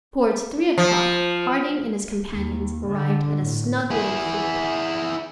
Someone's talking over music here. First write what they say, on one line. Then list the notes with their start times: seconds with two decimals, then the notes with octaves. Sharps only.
Towards three o'clock Harding and his companions arrived at a snug little creek.
0.78 F3
2.29 D#2
2.86 D3
3.40 A2
3.91 E4 G#4